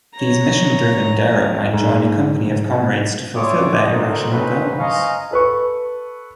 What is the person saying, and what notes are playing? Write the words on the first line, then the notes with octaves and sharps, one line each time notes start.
These mission-driven derro might join a company of comrades to fulfill their irrational goals.
C#5 A#5
G#2
E4 C#5 D5 C6 D6 D#6
D4 D#4 F#4 A4 A#4 C5
C4 C#4 D#4 A4 B4 C5
C5 D#5 F5 G#5 A#5 C#6
A4 B4 C#6